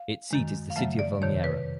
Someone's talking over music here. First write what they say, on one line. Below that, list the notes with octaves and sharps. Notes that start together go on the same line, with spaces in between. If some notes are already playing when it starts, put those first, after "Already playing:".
Its seat is the city of Valmiera.
Already playing: F5
F#2 D#3 G#3
F5
F#2 C#3 F#3 A3 E5
D5
F2 C3 D#3 C#5
B4